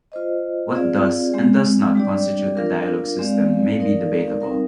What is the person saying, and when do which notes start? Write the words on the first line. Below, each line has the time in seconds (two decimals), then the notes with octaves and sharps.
What does and does not constitute a dialog system may be debatable.
0.12 F4 C5 D#5
0.73 C4 F4 G#4 D5 F5
1.34 G#3 C4 G4
1.95 G3 D4 G4 D5
2.57 D4 F4 A#4 F5
3.19 G#3 C4 G4 D5 F5
3.80 D#4 A#4 D5 F5
4.40 G3 C4 D#4 A#4 F5